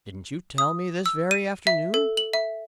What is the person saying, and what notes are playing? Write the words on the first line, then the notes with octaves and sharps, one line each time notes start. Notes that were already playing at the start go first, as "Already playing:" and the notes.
"Didn't you tell me this very afternoon?"
D#6
E6
D#7
E5
A4
F#7
E5